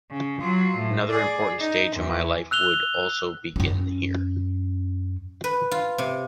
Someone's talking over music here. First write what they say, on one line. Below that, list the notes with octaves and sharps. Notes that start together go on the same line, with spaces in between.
Another important stage of my life would also begin here.
C#3
F#3 F4
A2
G#4 D5
D#4
E2
E6 F#6 F7 G7
F#2 C#4
B4
F4
C3